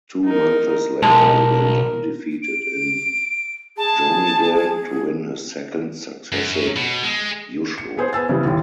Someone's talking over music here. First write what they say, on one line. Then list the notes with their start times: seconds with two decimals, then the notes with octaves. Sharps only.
Two months later he went undefeated in "jonidan" to win his second successive "yusho".
0.25 D#4 A#4
1.03 B1 G#3 A#4 A5
2.42 D7
3.78 G#4 A5
6.32 F#2
6.76 B2
7.03 G#3
7.78 C#7
7.97 B3 G#4 C5
8.13 B3 G#5 E6 A6
8.29 C#3 E3 G3
8.45 D#2 A2